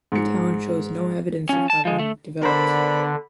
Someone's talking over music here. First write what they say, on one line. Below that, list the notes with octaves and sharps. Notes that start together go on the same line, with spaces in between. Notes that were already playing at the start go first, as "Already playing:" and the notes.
The town shows no evidence of having developed.
G#2 C#7
F3 C#4
A5
F3 G#3
A3
D3 B3 D4 A#4 C5 B5